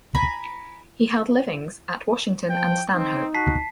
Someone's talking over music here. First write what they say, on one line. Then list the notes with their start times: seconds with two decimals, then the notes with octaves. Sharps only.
He held livings at Washington and Stanhope.
0.15 G#5 A#5 B5
2.49 F3 G5
2.94 C4 D#4
3.34 F#4 A5 B6 C7